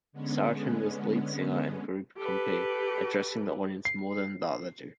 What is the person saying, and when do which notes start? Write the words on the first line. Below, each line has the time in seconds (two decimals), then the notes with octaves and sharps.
Sartin was lead singer and group-compere, addressing the audience more than the other two.
0.13 D3 G#3 B3 C#4
2.16 G4 A4 B4
3.85 C7